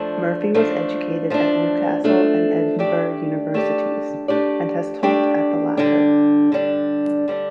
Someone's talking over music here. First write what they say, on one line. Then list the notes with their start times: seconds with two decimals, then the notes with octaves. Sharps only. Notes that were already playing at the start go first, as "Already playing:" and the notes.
Murphy was educated at Newcastle and Edinburgh Universities, and has taught at the latter.
Already playing: F3 A3 D4
0.54 F3 A3 D4
1.30 F3 A3 D4
2.04 F3 A3 D4
2.79 A3 D4 G4 D5
3.54 A3 D4 G4 D5
4.28 A3 D4 G4 D5
5.03 A3 D4 G4 D5
5.78 D3 G3 D4
6.52 D3 G3 D4
7.28 D3 G3 D4